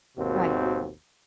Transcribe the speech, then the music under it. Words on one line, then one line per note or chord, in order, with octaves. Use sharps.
Right, like
G#1 D#2 B2 C4 F#4